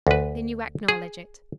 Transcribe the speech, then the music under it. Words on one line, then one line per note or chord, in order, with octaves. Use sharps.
"Then you acknowledge it?"
D2 B4
G#4